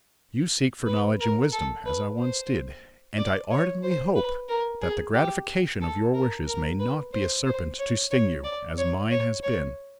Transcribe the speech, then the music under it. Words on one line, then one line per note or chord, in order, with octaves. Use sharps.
You seek for knowledge and wisdom, as I once did; and I ardently hope that the gratification of your wishes may not be a serpent to sting you, as mine has been.
B4
A#4
A4
B4
C5
D5
C#5
C5
B4
A#4
G#4
G4
A4
A#4
A#4
B4
C5
C5
C#5
C#5
D5
C#5
C#5
C#5